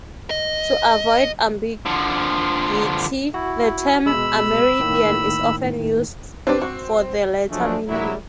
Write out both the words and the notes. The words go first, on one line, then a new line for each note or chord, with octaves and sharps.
To avoid ambiguity, the term Amerindian is often used for the latter meaning.
D#5
D3 F3
E4 F#4
B2 G#3 B5 E6
A2 D#3 A#3
C4 D4 G4 B4
F#4
F3 F#3 G#3 A3 D4
A#1 F#3 G3 E4